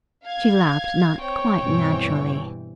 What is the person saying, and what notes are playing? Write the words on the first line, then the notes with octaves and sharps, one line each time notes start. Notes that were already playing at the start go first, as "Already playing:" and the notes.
She laughed, not quite naturally.
F5 G#6
C4 C#5 G5
G2 B2 E3